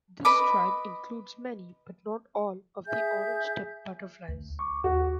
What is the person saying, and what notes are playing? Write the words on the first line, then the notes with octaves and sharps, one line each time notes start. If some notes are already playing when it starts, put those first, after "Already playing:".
This tribe includes many, but not all, of the orangetip butterflies.
B4 D#5 B5 D6
G#4 E5 G#5 G6
D2
C#6 D6
D#2 F#4